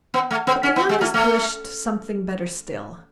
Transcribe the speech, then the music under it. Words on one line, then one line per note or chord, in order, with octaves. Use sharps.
But the youngest wished something better still.
B3
A3
B3
C#4
B3
G#3
A3
A3